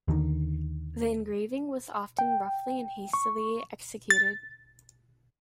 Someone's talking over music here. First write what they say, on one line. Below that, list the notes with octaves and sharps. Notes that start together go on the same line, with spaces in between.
The engraving was often roughly and hastily executed.
D#2 D3 D#3
G5
C#6
A6